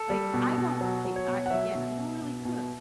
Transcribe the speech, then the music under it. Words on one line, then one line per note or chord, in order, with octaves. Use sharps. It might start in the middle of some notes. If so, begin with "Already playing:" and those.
like, I don't, okay I again, I don't really cook,
Already playing: A4
G3
B2
B2
F#3
F#3
C#5
B2
F#5
F#3 E5
B2
B2
B2
B2